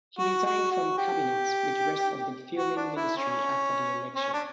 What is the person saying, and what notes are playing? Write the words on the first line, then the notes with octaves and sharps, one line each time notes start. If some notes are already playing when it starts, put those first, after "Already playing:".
He resigned from cabinet with the rest of the Filmon ministry after the election.
F#4
F#4
F#4
G4
F#4
D4
E4
C#4
C#4
D4